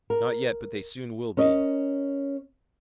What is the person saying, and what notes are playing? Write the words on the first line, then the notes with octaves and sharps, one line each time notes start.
"Not yet, but they soon will be."
A#4
C#4 A#4 D#5